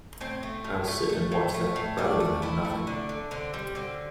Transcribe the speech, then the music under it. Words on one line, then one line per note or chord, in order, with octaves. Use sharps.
I'll sit and watch that rather than have nothing.
A2 C4
A3
A2
A3
A3
A2
A3
A2
A3 D4
A3
A3 E4
A3
D3 D4
D3
D3 C4
G3
D3 C4